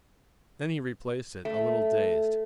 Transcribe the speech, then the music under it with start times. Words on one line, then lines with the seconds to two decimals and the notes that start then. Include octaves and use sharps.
Then he replaced it, a little dazed.
1.45 A3